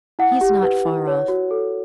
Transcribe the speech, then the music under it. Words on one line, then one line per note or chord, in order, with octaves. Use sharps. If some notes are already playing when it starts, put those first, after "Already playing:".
He is not far off....
E4 F#5
G4
B4
E4
C#5
F#4
A4